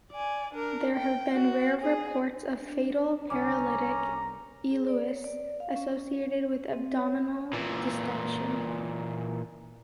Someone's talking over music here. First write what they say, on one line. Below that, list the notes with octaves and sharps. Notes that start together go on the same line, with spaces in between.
There have been rare reports of fatal paralytic ileus associated with abdominal distention.
D5 G#5
D4 A#4
G5
F#4
G#4
D4
C2 C#4 A#5 D6
G#4
D5
C#5
D5
F5
C#4
C4
C#5
A#2 E3